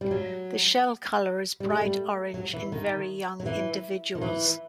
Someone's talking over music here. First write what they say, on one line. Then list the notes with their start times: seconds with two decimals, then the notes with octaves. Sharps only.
The shell color is bright orange in very young individuals.
0.01 G3
0.11 F#3
1.60 G3
1.70 A3
1.81 G3
2.34 F#3
2.53 E3
2.72 D#3
3.40 F#3
3.46 E3
4.15 D#3
4.21 E3